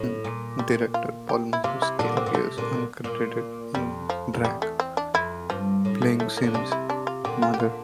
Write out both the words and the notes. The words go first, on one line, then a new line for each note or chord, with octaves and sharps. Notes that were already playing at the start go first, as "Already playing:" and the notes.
Director Paul Mazursky appears uncredited in drag, playing Simms' mother.
Already playing: A2
A#2
G3
F4
G4
E4
C3 F4
E4
A#2 D3 D4
C4
A#2
C3 A3
A#2 D3
A#2
F2 G3
F3
F2
E2 G3
A3
C4
D4
F2 E4
G2 F3
A2
A3
A3
A#3
D3
C3 D4
E4
D4
F4
A#2 D3 G4
F4
G4
F4